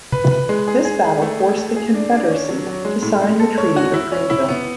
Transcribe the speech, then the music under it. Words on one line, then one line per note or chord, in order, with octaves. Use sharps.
This battle forced the confederacy to sign the Treaty of Greenville.
B4
B4
G#3
G#4
G#4
G#4
A3
A3
A3
G#4
D4
D4
C#4
F#3
F#3
G#3
A2
G#3
A4
C#5
F#4
E4
C#4
E4
B3